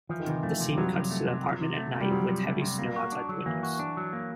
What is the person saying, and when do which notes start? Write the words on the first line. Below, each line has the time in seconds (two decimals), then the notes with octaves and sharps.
The scene cuts to the apartment at night with heavy snow outside the windows.
0.09 E3 F3
0.20 D#3
0.27 C3 E3
0.43 F3 A3
0.61 C3
0.72 G3
0.77 F3 F#3
0.93 C3
1.11 A3
1.28 C3
1.44 F3
1.62 C3
1.77 A3
1.95 C3
2.00 G3
2.11 F3 F#3
2.28 C3
2.45 A3
2.62 C3
2.78 A#3
2.96 F#4
3.12 D4
3.29 F#3
3.46 E3 A#3
3.63 F#4
3.79 D4
3.97 F#3
4.13 A#3